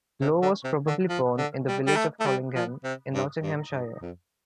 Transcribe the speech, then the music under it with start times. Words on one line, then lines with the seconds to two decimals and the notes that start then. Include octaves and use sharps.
Blow was probably born in the village of Collingham in Nottinghamshire.
0.21 C3
0.42 D3
0.64 C3
0.87 D3
1.09 F3
1.37 D3
1.68 G3
1.87 G3
1.96 A3
2.20 A3
2.26 G3
2.55 F3
2.84 C3
3.14 G2
3.43 G2
3.72 G2
4.02 F2